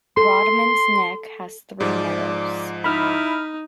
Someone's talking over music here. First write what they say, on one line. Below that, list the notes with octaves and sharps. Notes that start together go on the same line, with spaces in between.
Rodman's Neck has three meadows.
A4 C6
G#2 F3 D5
D#4 E4 B5 F6